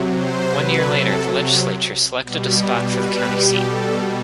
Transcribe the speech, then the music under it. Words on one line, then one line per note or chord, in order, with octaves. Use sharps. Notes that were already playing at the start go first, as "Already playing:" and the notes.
One year later, the legislature selected a spot for the county seat.
Already playing: C3 F#3
C5
B4
A4
B2 G3
B4
G4
A4